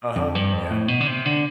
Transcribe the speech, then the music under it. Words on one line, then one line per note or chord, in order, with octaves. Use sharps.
Uh-huh. Yeah.
F2
G2
F2
A2
B2
D3
C3
D3